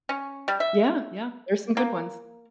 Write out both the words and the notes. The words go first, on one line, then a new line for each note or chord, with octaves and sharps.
Yeah. Yeah. There's some good ones.
C#4
G3
E5
A#3